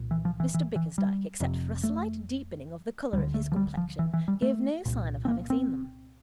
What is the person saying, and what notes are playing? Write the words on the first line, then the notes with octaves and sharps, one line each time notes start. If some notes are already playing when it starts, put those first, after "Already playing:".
Mr Bickersdyke, except for a slight deepening of the colour of his complexion, gave no sign of having seen them.
Already playing: C2 A#2
E3
F3
E3
E3
E3
G3
F1 F2 C3
A3
D2 D3 G3
A3
F3
G3
F3
E3
E3
G3
A3
C2 A#2
C4
A#3
C4